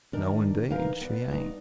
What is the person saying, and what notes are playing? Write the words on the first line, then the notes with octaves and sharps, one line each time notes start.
"No, indeed, she ain't."
D#3 D4 A#4 D5
E3 D#4 A#4 F5 A#5
B3 D5
G2 D#4 D5